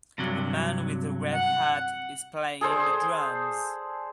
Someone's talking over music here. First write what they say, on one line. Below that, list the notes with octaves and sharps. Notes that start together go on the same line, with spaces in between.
A man with a red hat is playing the drums.
G2 C3 F#3
F#5
G#4 A4 C5 D5